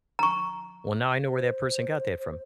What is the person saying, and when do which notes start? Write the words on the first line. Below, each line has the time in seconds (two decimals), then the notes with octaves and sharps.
Well, now I know where that person got that from.
0.19 A#5 C#6
1.26 C5